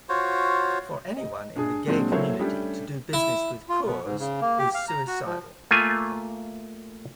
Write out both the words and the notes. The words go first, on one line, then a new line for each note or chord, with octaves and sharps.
For anyone in the gay community to do business with Coors is suicidal.
F4 F#4 C5 C#5
D#5
G2 D4 G#4
A#2 F#3 G#3 C4 D4
F#3 A3 A#3 E4 C5 C#5
G3 A3 C#4 D4 G4
E4
F4
B2
G#2
C#3
A#3
G4
F5
A#5
F#4
F3
A3 A#3 F4 G#5